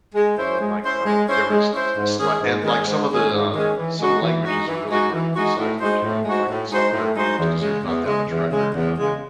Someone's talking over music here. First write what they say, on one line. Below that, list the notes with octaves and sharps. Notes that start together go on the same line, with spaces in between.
And then, like, um, there was s slight and, like, some of the, um, some of the languages are really hard to decipher, too, like the South American ones, cause there's not that much record of it.
G#3
C#4 E4 C5
G#3
C#4 E4 C5
G#3
C#4 E4 C5
G#3
C#4 E4 C5
G#2
D#3 G#3 C#4 G#4
G#2
D#3 G#3 C#4 G#4
G#2
D#3 G#3 C#4 G#4
G#2
D#3 G#3 C#4 G#4
E3
G#3 D#4 F#4
E3
G#3 D#4 F#4
E3
G#3 D#4 F#4
E3
G#3 D#4 F#4
A2
G#3 D#4 F#4 C5
A2
G#3 D#4 F#4 C5
A2
G#3 D#4 F#4 C5
A2
G#3 D#4 F#4 C5
E2
C#3 G#3
E2
C#3 G#3
E2
C#3 G#3
E2
C#3 G#3